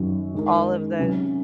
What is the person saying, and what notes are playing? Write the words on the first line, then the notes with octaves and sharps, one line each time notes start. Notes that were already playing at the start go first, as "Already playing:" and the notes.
All of tho
Already playing: F#2 D#3 F#3
D#3 G#3 D#4 A#4
C3 F#3 C#4